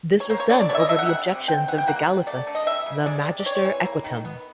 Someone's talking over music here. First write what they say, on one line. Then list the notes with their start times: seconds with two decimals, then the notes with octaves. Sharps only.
This was done over the objections of Dagalaifus, the "magister equitum".
0.20 C#5
0.30 A#3 C5
0.40 C#5
0.49 D3 D5
0.60 D5
0.69 B3 C#5
0.75 E5
0.79 D#5
0.89 D3 E5
0.99 F#5
1.09 G3 F#5
1.29 C3
1.48 C4 G5
1.68 E3 F#5
1.78 G5
1.87 A#3 F#5
2.07 C3
2.27 A3 D5
2.47 D3
2.55 D#5
2.67 G3 E5
2.86 C#3
3.06 G#3 D5
3.26 C3
3.40 D5
3.46 C4 C#5
3.65 E3
3.85 A#3
4.04 D#3
4.25 B3